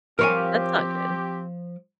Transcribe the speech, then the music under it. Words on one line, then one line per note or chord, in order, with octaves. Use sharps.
That's not good.
F3 C4 F4 G4 A#4 C#5 G#5